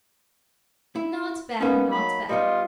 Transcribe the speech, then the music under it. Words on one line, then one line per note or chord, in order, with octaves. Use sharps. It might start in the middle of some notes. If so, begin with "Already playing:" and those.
Not bad, not bad.
E4
A#3 B3 C#4 D#4
F#3 B5
G3 B3 D#4 F4 D#5